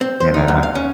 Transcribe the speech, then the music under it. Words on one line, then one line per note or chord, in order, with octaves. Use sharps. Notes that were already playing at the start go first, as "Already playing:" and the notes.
you know.
C4
C5
D#4
F#2
F5
C#4